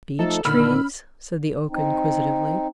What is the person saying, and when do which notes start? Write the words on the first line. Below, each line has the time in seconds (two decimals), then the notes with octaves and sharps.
"Beech Trees?" said the Oak inquisitively.
0.19 F3 A3 D#4 A4
0.45 A#2 D3 D#3 B5 E6 F6
1.70 C4 D#4